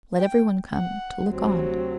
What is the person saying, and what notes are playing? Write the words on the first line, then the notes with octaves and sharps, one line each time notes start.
Let every one come ... to look on.
G5
F#5
D2 C3 F#3 C4